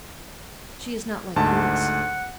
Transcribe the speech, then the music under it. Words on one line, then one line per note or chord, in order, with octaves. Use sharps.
"She is not like Prudence."
D2 G#2 F#5 A5